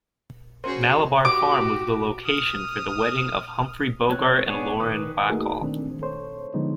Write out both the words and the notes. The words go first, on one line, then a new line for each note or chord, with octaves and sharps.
Malabar Farm was the location for the wedding of Humphrey Bogart and Lauren Bacall.
C#4 F#4 G#4 A#4 C5
F#4 G4 D6
D#6 F6
C4 C#5 F#6
B3 D4 G#4 C#5
D#3 B4 D6 D#6
A3 A#3 D#4 F#4 G#4 A#4
D#3 A3 C4 D4
A4 C5 C#5
D3 F3 G#3 B3 D#4